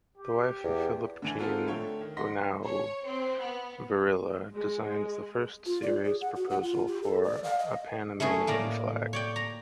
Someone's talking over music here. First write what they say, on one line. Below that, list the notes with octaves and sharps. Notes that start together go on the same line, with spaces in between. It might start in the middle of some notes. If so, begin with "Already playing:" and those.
The wife of Philippe-Jean Bunau-Varilla designed the first serious proposal for a Panamanian flag.
G4
E2
D3 E3 G#5
B3 C4 F4 F#4 A4 A#4
D3 A3 C#5 G5
D#3
D#5 F#5 C6 A#6 B6
C#5
C4
B3
G#3
F4
D5
G#4
F#5
F#4
F#5
F4
G4
A4
D5
F5
D#5
A3 C#4 E4 G#4
A2 A#3 D5 A#5
C#5 D5 G5
A#5